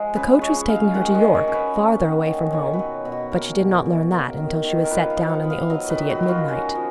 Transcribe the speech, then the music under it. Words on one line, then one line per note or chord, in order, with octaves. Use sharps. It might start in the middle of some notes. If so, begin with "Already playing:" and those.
The coach was taking her to York, farther away from home; but she did not learn that until she was set down in the old city at midnight.
Already playing: F3 G#3
C#3 B4
G#3 C#5
G#3 F5
D#3 F#5
D#5
F#3
C#5
C#4
B4
A#3
D#3
D#3
B2 C#5
B4
F#3
B2
F#4
A#3 A#4
B2
B2
A#3
D#3
D#3
A#4
F3 B4
F5
F3
F#5
B3
F5
F#3 D#5
B4
D#3
F#4
F#3
F4
C#4 F#4
F3